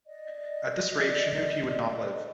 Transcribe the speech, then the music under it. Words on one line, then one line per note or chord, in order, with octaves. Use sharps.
At this rate she knew he would not live.
D5 D#5